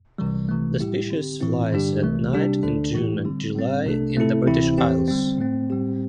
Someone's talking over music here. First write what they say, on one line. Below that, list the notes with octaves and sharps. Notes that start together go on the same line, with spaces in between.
The species flies at night in June and July in the British Isles.
C2 C3 E3 G3
C2 C3 E3 A3
A2 G3 E4 G4
D3 C4 G4
A2 E3 C4 E4
G2 D3 G3 D4 G4
C2 C3 E3 A3
C3 G3 D4 G4
D2 D3 A3 D4 A4
A2 E3 A3 E4 G4
D3 G3 C4
A2 G3 C4
C2 C3 A3 D4 A4
C3 A3 C4 E4 A4
D2 C3 E3 C4 E4
E2 E3 C4 G4
D3 G3 C4
A2 A3 C4
A2 G3 C4 G4